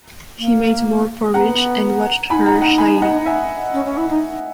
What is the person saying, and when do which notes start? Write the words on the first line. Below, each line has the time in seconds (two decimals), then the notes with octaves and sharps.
He made more porridge and watched her shyly.
0.38 A#3
1.34 B3 C#4 F#5 A#5
2.30 D#4 E4 G#5 B5
2.46 F#5 A#5
2.61 F#5 A#5
2.78 G#5 B5
3.02 D#5 F#5
3.26 E5 G#5
3.73 C#4
3.85 C#4
3.97 E4
4.10 D#4